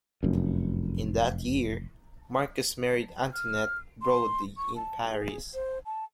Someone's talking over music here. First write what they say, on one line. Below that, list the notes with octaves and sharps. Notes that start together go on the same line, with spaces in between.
In that year, Marcus married Antoinette Brody in Paris.
F1 F#2
F6
C6
C#6
A5
G#4
C5
A5